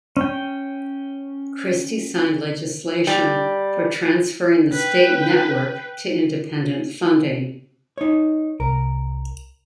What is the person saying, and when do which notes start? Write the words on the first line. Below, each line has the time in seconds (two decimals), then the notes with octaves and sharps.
Christie signed legislation for transferring the state network to independent funding.
0.17 C#4 G5
3.07 G3
4.72 B4 G5
7.98 D#4 C#5
8.60 C2 A#4